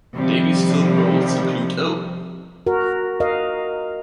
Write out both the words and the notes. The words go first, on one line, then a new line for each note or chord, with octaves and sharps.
Davies' film roles include Oh!
C3 D#3 F3 G3
F#4 A#4
A#4 D#5 F5